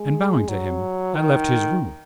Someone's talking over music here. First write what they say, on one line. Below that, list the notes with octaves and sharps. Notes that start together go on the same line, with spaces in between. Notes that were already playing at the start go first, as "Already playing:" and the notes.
And bowing to him I left his room.
Already playing: G#3
F#3
D#3